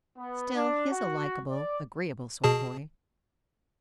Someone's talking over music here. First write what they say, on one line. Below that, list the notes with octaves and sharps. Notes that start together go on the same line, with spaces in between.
"Still, he's a likable, agreeable sort of boy."
B3
D4
F#4
D5
B2 G#4 A5